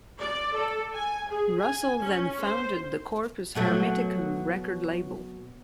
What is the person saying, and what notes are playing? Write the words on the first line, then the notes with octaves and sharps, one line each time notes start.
Russell then founded the Corpus Hermeticum record label.
D5
A4
G#5
G#4
G#5
C#4
C5
B2 F#3 A3